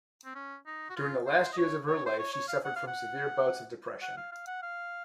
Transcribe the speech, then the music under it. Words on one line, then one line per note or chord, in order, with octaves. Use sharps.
During the last years of her life, she suffered from severe bouts of depression.
C4
C#4
D#4
F#4
F4
C5
D#5
C#5
C#5
C5
C#5
C#5
F5
F#5
F5
F#5
F#5
F5
F5
F#5
F5